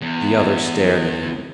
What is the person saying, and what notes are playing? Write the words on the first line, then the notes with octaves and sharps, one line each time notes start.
The other stared at him.
E2